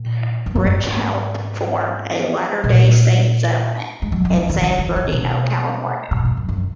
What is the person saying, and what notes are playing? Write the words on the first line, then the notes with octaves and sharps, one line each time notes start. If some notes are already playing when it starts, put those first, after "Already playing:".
Rich helped form a Latter-day Saint settlement in San Bernardino, California.
Already playing: A#2
E2
F#2
G#2
A#2
G#3
F#3
F#3
E3
D#3
C#3
D#3
D#3
B2
B2
G#2
F#2
F#2